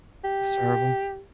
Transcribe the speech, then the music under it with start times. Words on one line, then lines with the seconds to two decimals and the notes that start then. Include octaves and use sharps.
That's terrible.
0.24 G4